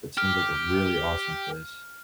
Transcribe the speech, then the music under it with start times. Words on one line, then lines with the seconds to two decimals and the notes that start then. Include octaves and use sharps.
It seems like a really awesome place.
0.17 G4 F6